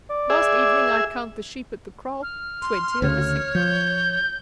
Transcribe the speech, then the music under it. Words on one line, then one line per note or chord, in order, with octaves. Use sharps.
Last evening I count the sheep at the kraal--twenty are missing.
D5
G#4 E5
F6
C6
D2 C#3 C#5
F3 G6